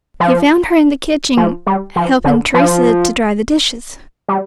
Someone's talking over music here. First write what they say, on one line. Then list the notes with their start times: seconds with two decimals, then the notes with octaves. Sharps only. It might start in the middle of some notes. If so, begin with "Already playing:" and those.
He found her in the kitchen helping Teresa to dry the dishes.
0.20 F3
1.37 F3
1.67 G3
1.96 F3
2.24 D3
2.54 F3
4.28 G3